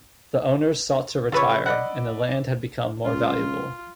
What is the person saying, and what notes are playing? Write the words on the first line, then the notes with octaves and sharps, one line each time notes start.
The owners sought to retire, and the land had become more valuable.
C#3 F4 B4 C#5 E6
D5 D#5 F#5 B5
C#2 F4